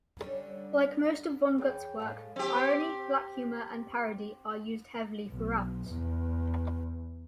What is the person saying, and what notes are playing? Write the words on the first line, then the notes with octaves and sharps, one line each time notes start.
Like most of Vonnegut's work, irony, black humor and parody are used heavily throughout.
D3 G3 C#4
E2 G#4 C#5 G5
A2 G#3 A4 F5
C4 G4
B1
E2